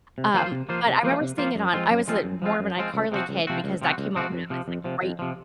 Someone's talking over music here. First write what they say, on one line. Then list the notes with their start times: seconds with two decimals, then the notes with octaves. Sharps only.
um, but I remember seeing it on I was, uh, more of an iCarly kid because that came out when I was, like, right
0.18 C3
0.34 F3 A#3 F4 C5
0.52 C3
0.69 F3 A#3 F4 C5
0.87 C3
1.03 F3 A#3 F4 C5
1.21 C3
1.38 F3 A#3 F4 C5
1.55 F#2
1.73 F3 G#3 C4 F4
1.91 F#2
2.08 F3 G#3 C4 F4
2.24 F#2
2.42 F3 G#3 C4 F4
2.60 F#2
2.77 F3 G#3 C4 F4
2.94 C#2
3.12 C3 F3 C4 F#4
3.29 C#2
3.47 C3 F3 C4 F#4
3.64 C#2
3.82 C3 F3 C4 F#4
3.98 C#2
4.15 C3 F3 C4 F#4
4.32 F2
4.50 C3 F3
4.68 F2
4.84 C3 F3
5.03 F2
5.19 C3 F3